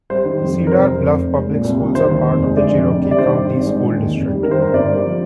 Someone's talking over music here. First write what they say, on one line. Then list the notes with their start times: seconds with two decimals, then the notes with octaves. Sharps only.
Cedar Bluff Public Schools are part of the Cherokee County School District.
0.10 G3 C5
0.25 D#3
0.41 F2
0.56 F2
0.67 A#4
0.72 C3 C5
0.88 F2
1.03 F1
1.18 F1
1.34 G#3
1.50 A#2
1.64 C2
1.80 C2
1.95 D#3 C5
2.12 D#2
2.27 F1
2.42 G#3
2.57 D3 D5
2.73 F2
2.88 F1
3.04 G3
3.11 D5
3.18 D#3 C5
3.35 G2
3.50 G#1
3.66 G#3
3.80 D#3
3.97 D#2
4.12 F1
4.27 G3
4.43 D#3 A#4
4.51 C5
4.58 G2 A#4
4.67 C5
4.73 G1 D5
4.88 G3
5.04 F3